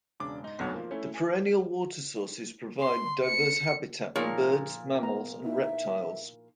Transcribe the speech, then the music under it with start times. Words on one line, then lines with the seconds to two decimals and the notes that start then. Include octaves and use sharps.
The perennial water sources provide diverse habitat for birds, mammals, and reptiles.
0.20 E1 C#3 D4 D6
0.43 G#2 D#4
0.59 F1 B1 G2 B2 C#5 F#5
0.74 F3 A#3
0.91 A3 C#4 E4
1.14 G#5
2.80 C6
3.25 C#7
4.16 A#2 F3 D#4 G#4 A#4 C#5
5.03 B3 A#5
5.44 D#4 E4 F#4 E5